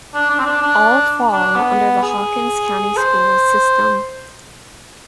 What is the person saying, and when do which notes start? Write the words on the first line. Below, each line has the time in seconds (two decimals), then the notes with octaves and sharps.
All fall under the Hawkins County Schools system.
0.14 D4
0.30 D4
0.39 C4
0.46 D4
0.61 D4
1.32 D4
1.56 B3
2.02 G#4
2.97 C5